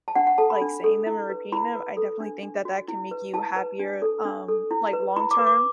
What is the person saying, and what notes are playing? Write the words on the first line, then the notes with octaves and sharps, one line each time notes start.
like, saying them or repeating them, I definitely think that that can make you happier, um, like, long-term
A5
D4 F#5
F#5
A4 A5
B5
D4
A4
E4
B4
E4 B5
B4
A4
D4
D4
F#4
E4
B4
E4 A5
B4
D4
A4
D4
A4
E4
B4
E4 B5
D6
B4
D6